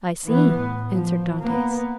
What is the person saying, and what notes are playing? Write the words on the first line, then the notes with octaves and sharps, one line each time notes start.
"I see," answered Dantes.
E3 B3
A2
F3
A#3 B3